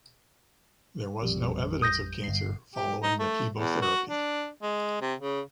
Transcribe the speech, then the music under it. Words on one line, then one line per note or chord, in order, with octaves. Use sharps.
There was no evidence of cancer following the chemotherapy.
A1 F2 G3
D#6 G6 A#6
G1 C7
G4
D#4
A3
E2
F#4
D4
G#3
C3
C#3